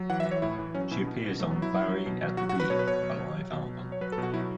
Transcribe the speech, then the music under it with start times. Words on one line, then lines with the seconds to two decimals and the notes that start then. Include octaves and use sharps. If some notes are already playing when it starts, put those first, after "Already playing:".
She appears on "Bowie at the Beeb", a live album.
Already playing: F#3
0.10 E3 F#5
0.20 E5
0.25 E3
0.31 C#5
0.42 A2 E4
0.59 E3
0.75 F#3 C#4
0.91 B2 E4
1.07 B2 B3
1.24 B2
1.39 F#3 A3
1.51 B3
1.56 F#3
1.62 E4
1.73 F#3
1.89 F#3
2.06 B2
2.21 F#3
2.37 F#3 F#4
2.49 F#4
2.54 F#3
2.60 B4
2.70 B2 C#5
2.79 B4
2.87 B2 C#5
3.03 F#3
3.19 F#3
3.36 F#3
3.52 B2
3.69 F#3
3.84 F#3
3.92 C#5
4.01 F#3 B4
4.12 A4
4.18 B2
4.23 F#4
4.33 F#3 E4